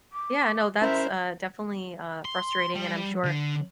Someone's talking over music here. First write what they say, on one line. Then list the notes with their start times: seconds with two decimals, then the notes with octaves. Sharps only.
Yeah, no. That's, uh, definitely, uh, frustrating, and I'm sure,
0.12 D6
0.82 C#4 E4 A#4 C5 E5
2.25 C6
2.75 G3
3.25 D3